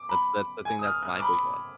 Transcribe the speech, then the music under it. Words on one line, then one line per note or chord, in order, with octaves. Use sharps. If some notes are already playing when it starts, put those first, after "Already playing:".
That's that's I think that's my big one.
Already playing: D6
B5
G#5
D#6
F6
F6
D6
B5